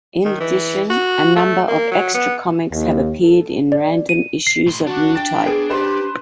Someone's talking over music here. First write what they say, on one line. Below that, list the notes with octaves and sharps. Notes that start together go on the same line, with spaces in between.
In addition, a number of extra comics have appeared in random issues of "Newtype".
D#3
E3
F#4
A3
A#3
F#3
B3
D#2
A4
D5
D#7
C7
A2 C6
D4 F#4
G5 A6
B3 G#4 D7
G4 B4 C5 C6